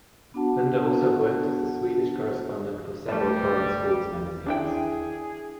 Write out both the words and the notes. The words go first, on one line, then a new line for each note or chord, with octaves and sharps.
Linde also worked as the Swedish correspondent for several foreign sports magazines.
B3 D4 F#4 F#5 A5
G3 A3 A5
D4 E4 G#4 G5